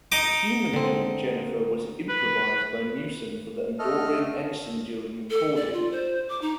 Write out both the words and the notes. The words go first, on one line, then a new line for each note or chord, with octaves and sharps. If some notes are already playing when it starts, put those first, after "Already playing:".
The human name Jennifer was improvised by Newsome for the Andorian ensign during recording.
D#4 D#5 D6
D3 C4
B4
A3 A4 D#5 F6
A4
D5
F4
C5
D6
D#4